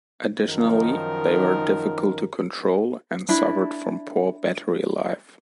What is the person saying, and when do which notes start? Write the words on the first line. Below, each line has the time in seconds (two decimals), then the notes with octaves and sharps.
Additionally, they were difficult to control and suffered from poor battery life.
0.46 F#2 D#3 F3 D#4 A#4
3.29 D4 E4